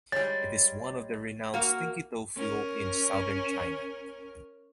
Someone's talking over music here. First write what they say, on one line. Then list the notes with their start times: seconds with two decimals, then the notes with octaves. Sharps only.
It is one of the renowned stinky tofu in Southern China.
0.12 G3 G#3 C#5 A6
1.54 A#3 F#4 A#4
2.36 C#4 A#4